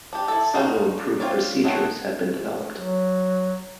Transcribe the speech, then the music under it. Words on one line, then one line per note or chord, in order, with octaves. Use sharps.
Several improved procedures have been developed.
D4 G4
E4 A4
F3 G3 D#4 F4 F#4
C4 F4 C#5 D5
F#3 A3 B3 C4 F#4
F#3